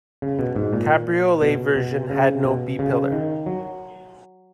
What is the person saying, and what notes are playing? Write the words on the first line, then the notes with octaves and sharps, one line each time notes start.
Cabriolet version had no B-pillar.
C#3
B2
G#2
A#2
B2
B2
C#3
B2
C#3
D#3
F#3